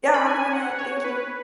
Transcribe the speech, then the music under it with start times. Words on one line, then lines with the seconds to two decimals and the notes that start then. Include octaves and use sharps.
Yeah, have a good night. Thank you.
0.14 B5
0.27 G#5
0.53 F#5
0.79 C#5
1.04 B4